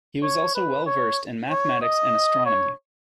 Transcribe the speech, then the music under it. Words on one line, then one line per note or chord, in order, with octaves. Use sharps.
He was also well versed in mathematics and astronomy.
C#5
B4
C#5
C#5
D#5
C#5